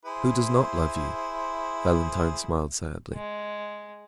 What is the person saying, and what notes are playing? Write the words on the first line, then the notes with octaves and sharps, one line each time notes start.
"Who does not love you?" Valentine smiled sadly.
E4 G#4 C5
G#3